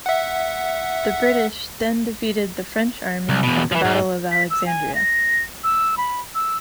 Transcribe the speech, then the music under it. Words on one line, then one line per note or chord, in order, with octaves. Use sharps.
The British then defeated the French army at the Battle of Alexandria.
E5 F#5
C2
E2 B2
E3 F3
G#2
B6
E6
G#5
A#6
E6
B5
E6